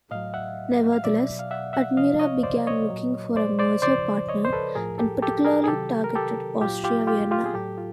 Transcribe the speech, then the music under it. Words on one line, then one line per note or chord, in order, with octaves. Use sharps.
Nevertheless, Admira began looking for a merger partner, and particularly targeted Austria Vienna.
A2 F#3 D#5 F5
E5 F#5
F5
B2 F#3 D5 E5
F5
E5 F#5
E5 F#5
C3 F3 D#5 F5
C#5 D#5
C5 D5
C#5 D#5
A#2 F#3
C5 D5
C5 D5
C#3 F3 C5 D5
C#5 D#5
C5
A4 B4
A2 F3 G#4 A#4
G4 A4
G4 A4
G#4 A#4
G#4
C3 D#3 F#3 G4 A4
A#4
G4 A4
A#2 F#3 F4 G4
F4 G4
F4 G4
F4 G4
G#4
A2 F#3 G4 A4
F4